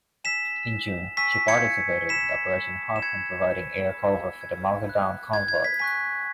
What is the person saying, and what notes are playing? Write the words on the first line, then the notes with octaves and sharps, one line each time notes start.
In June, she participated in Operation Harpoon, providing air cover for the Malta-bound convoy.
G#5 E6 B6 E7
G#5 C#6 E6 B6
B6
G#6 C#7
B5 E6 B6 E7
E7
B5 E6 G#6 C#7
B5 E6
G#6
B5 F#6
G#6
G#6
B6
G#5 C#6 F#6 B6